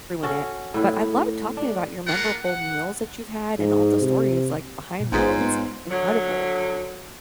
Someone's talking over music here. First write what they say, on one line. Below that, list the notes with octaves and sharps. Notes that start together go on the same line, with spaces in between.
ruin it, but I loved talking about your memorable meals that you've had and all the stories, like, behind them, it's incredible.
C#4 F#4 A4
A2 E4
D4
A#3 D4 F4 A#4 F#5
F#5
G#2
C3
A#2
A1 G#2 B3 F4 G#4 C5 B6
F4 C#5 C6
B3
D3 F#3